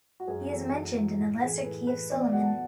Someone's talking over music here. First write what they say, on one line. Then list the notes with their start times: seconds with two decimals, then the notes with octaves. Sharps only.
He is mentioned in The Lesser Key of Solomon.
0.20 F#4
0.28 F#2 G#4
0.50 E3 A4
0.73 F#2
0.96 E3
1.19 A2
1.41 E3 G#4
1.54 A4
1.64 A2 B4
1.87 E3 B4
2.10 E2 D5
2.21 D5
2.32 D3 F#3 F#5
2.44 A5